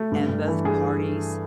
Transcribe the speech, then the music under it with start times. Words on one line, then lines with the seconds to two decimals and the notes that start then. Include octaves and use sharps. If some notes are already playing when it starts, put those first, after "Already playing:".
and both parties
Already playing: A3
0.11 G2
0.29 G2
0.48 E3
0.65 G2 G#4